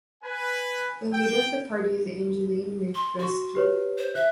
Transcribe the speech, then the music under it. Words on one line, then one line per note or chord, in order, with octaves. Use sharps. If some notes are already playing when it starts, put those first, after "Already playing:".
The leader of the party is Angele Mitreski.
B4 G#5
G5
C6
F#4 C6 C#6
G4 B4 C#5
C5
E5 F#6